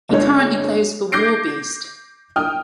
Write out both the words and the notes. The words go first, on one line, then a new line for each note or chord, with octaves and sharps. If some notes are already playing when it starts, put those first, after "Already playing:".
He currently plays for Warbeast.
G1 D3 G#3 C#5
D6 G6 G#6 A#6 C7 D7
G5 D#6 F6